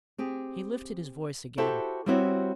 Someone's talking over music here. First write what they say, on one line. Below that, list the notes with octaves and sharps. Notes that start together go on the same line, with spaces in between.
He lifted his voice again.
C4 G4 G#4
E4 F#4 G4 A4 C5 E5
G3 B3 C4 E4 F#4 C#5